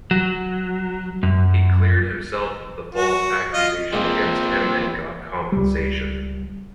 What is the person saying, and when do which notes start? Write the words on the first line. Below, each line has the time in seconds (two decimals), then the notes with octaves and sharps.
He cleared himself of the false accusation against him and got compensation.
0.11 F#3
1.23 F#2
2.95 F#4
3.53 F4 D#5
3.93 A#2 F3 G#3 A#3 C4 D#4
5.52 C#2 G3